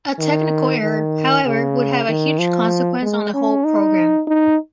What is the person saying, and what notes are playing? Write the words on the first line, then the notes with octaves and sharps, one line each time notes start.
A technical error, however, would have a huge consequence on the whole program.
D#3
D#3
C#3
D#3
F3
G#3
C#4
D#4
D#4